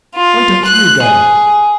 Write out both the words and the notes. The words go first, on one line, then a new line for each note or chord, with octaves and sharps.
Why don't you go?
F4
F#6
G#4